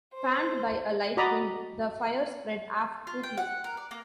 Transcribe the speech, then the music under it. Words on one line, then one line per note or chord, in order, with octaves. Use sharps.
Fanned by a light wind, the fire spread aft quickly.
C5
F#4 D5 D#5 A#5 B5
F4
G5
F#5
A#4
D5
A#3